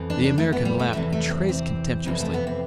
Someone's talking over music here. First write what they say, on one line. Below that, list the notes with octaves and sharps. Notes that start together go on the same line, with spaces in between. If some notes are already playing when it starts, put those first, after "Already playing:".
The American laughed a trace contemptuously.
Already playing: F2 E3
D4
D4
A3
B3
G3
A3
E2 C3 E3 A3
A3
C4
C4
F2 C3 E3 G3
A3
B3
C4